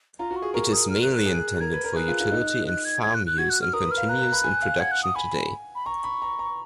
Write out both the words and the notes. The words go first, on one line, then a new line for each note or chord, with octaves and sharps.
It is mainly intended for utility and farm use and continues in production today.
F4 A#5
F#4
C#6
G#4
A#4 C#6
D#6
F6
F#6
F#6
G#4
A#4 G#6
B4
A#4
G#4 F#6
F4
F4
D#4
F#6
G#6
G#6
F#6
F#6
F#4 G#6
F#6
F6
A#4 D#6
B4
F6
F5
A#5 F#6
A#5
B5
G#5
F5
F#5 G#6
F#6
D#6
G#5 B5
B5
A#5 C#6
B5
A#5
A#5